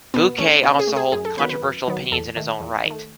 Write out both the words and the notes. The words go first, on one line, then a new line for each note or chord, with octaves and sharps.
Bukay also holds controversial opinions in his own right.
B2 B3
A3 C#4
B2 C#4
G#4
A3
G#4
F#2 G#4
A4
D#3 F#3 B3 B4
B4
F#2
D#3 F#3 B3
E2 A4
D#3 A3
E2
D#3 A3